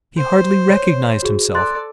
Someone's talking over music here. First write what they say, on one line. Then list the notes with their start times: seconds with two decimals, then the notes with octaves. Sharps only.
He hardly recognized himself.
0.18 C5
0.69 C#5
1.23 F#4 G#4
1.55 A4 D5 C6 F#6 A6